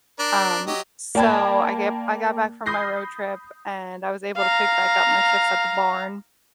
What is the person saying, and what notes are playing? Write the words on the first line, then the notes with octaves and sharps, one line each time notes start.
Um, so, I get I got back from my road trip and I was able to pick back up my shifts at the barn.
D4 A#4
F#3 G4 D#5
A#3 D5 G5 A5 B5 G#6
B5 D#6 G6 A#6 C7
F5 A#5